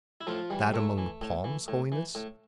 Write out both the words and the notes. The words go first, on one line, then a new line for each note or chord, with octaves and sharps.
"That among the palms, Holiness?"
E4
A2 F3 F4
E3 G3
A2 A3
E3
A2
E3
A2
E3
A2